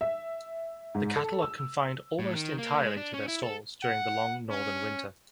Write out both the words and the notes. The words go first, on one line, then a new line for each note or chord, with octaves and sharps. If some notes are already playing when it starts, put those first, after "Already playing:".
The cattle are confined almost entirely to their stalls during the long northern winter.
E5
G#2
A4
E6
A2
D#3
A#3
G#3
D4
C#4
E4
A4
F#5
C#4